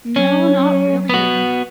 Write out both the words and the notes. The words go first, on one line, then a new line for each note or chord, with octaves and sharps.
No, not really.
F#3 C#4
B3 F#4